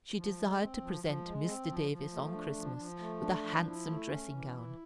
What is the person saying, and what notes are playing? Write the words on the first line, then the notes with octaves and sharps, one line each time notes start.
She desired to present Mr. Davis on Christmas with a handsome dressing-gown.
F3
G#3
C4
F3
F3
G#3
C4
F3
F3
A3
D4
F3
F3
A3
D4
F3
E4
A3
C#4
E3
E4